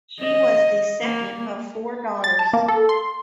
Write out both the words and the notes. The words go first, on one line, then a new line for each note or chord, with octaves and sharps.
She was the second of four daughters.
D#5
A#3
A6
A5
A#3
A4
C6